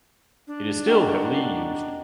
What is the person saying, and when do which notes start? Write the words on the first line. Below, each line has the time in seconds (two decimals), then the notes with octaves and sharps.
It is still heavily used.
0.47 D4
0.86 D#4 F#4 G4